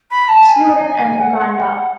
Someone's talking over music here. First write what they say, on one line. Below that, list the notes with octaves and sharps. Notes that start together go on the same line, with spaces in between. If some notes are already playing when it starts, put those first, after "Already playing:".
Sudan, and Uganda.
B5
A5
G#5
F#5